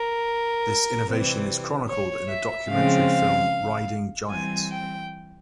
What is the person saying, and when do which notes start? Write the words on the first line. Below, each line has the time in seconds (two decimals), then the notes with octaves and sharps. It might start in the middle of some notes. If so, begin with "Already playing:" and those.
This innovation is chronicled in the documentary film, "Riding Giants".
Already playing: A#4
1.07 C3 E3 G3 C4
1.88 C#5
2.29 E5
2.68 C#3 F3 G#3 C4 F5
4.30 E3 G3 C4 G#5
4.71 G5